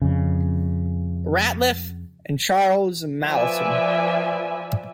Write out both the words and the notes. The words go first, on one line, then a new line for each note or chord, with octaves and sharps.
Ratliff, and Charles Mallison.
F2 C#3
F3 B4 D5 E5 G#5